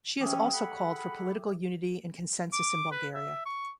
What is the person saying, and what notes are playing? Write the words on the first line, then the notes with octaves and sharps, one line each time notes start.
She has also called for political unity and consensus in Bulgaria.
E3 F3 C#4 G4 G#4 E5
A4 F#5 B5
D6
B4
E5
C#6